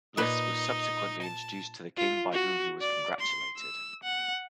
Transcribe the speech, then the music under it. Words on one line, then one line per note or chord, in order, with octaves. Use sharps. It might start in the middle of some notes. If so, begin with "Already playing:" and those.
Bliss was subsequently introduced to the King by whom he was congratulated.
A#2 D#4 B4 D#5
A5
F4
F#4
D5
C6
E6
F#5